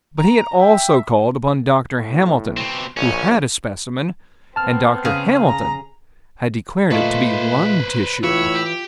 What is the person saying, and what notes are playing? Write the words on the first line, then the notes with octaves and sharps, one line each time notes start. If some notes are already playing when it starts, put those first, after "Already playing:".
But he had also called upon Dr. Hamilton, who had a specimen, and Dr. Hamilton had declared it to be lung-tissue.
A#5
E5 G5
A2
B2 C4
A#1 C#4
B3 C4 A5 F6
C#3 G#4 F5
A#5
A#2 A3 F4 B4 C5 D#5 F5
A2 E3 F4 C#5 B5 E6
G4